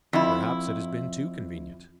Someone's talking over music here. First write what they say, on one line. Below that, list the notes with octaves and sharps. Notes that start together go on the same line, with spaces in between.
Perhaps it has been too convenient.
F2 E4